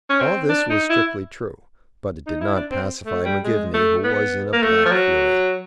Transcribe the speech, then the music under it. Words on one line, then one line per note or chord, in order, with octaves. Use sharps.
All this was strictly true; but it did not pacify McGivney, who was in a black fury.
C#4
C4
D4
D#4
E4
D#4
E4
D4
C4
A3
G3
G#3
A3
B3
A#3
A3
F3
F#3